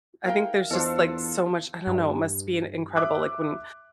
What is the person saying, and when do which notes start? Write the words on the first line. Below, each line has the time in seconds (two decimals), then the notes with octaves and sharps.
I think there's just like so much I don't know, it must be an incredible like when
0.25 E4 A#4 F5 G5
0.71 E2 D4 F4 A4 C5 D#5
1.87 G2
2.96 E5 D6 F#6